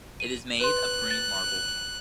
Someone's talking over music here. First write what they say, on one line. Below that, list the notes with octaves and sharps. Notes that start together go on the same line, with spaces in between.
It is made of green marble.
D#7
B4 C6 F#6
A6